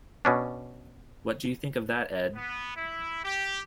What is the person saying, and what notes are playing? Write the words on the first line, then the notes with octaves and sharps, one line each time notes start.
What do you think of that, Ed?
B2 C#4 D4
B3
E4
G4